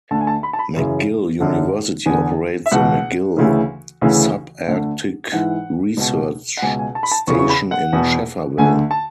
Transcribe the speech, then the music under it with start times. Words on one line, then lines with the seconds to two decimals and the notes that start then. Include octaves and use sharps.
McGill University operates the McGill Subarctic Research Station in Schefferville.
0.11 D2 D3 A5
0.21 G#5
0.27 A5
0.43 B5
0.53 A5
0.59 B5
0.76 F#2 C#3 E3
1.40 F#2 D3
2.06 E2 D3 G#5
2.66 E5
2.72 C#2 B2 F#5
3.37 D2 C#3 E3
4.01 D2 C#3 E3
4.67 D2 D3
5.32 G#2 E3 F#5
5.97 C#2 B2
6.57 F#5
6.62 C#2 B2 G#5
6.79 G#5
6.95 A5
7.03 B5
7.11 A5
7.27 E2 C#3 E3 C#6
7.39 C#6
7.50 B5
7.71 F#5
7.93 E2 B2
8.58 D2 D3 G#5
8.91 A5